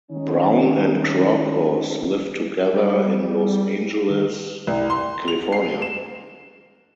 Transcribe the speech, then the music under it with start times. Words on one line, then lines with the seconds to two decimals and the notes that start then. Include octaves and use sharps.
Brown and Crokos lived together in Los Angeles, California.
0.11 D#3 G#3 C#4 D#4
2.74 G3
4.10 D#3
4.67 C2
4.90 C6
5.28 F7
5.52 C7
5.82 E7